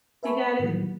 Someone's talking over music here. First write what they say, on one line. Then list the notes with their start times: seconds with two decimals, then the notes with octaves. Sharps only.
he got his
0.23 B4 E5 G#5 A5 B5 C#6
0.59 A2 D#3 E3 F#3 G3 A#3